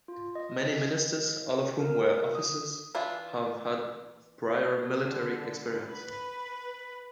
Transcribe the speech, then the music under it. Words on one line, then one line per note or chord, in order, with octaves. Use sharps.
Many ministers, all of whom were officers, have had prior military experience.
F4
D#5
A#4
D#6
E3 D4 E4 F4
D3
B4